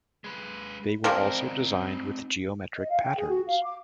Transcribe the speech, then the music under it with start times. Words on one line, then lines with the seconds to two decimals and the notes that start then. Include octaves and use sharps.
They were also designed with geometric patterns.
0.24 G#3 B4
1.04 F3 G3 C4 D#4 A#4
2.75 D#5
2.90 F5
3.03 G5
3.17 G#4
3.30 F#4
3.48 F5
3.62 D6